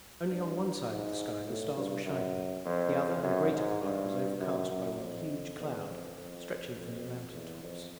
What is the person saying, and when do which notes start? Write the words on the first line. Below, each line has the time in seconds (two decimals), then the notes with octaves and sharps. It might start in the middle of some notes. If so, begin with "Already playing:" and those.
Only on one side of the sky the stars were shining, the other and greater part was overcast by one huge cloud stretching from the mountaintops.
0.31 G2
0.89 G#2
1.48 A2
1.76 G2
2.06 F#2
2.65 F2
3.23 F#2
3.53 G#2
3.82 G2
4.41 F#2
4.71 F#2
5.00 F2
5.59 E2
5.88 F2
6.17 F2
6.76 F2
7.34 E2
7.63 F2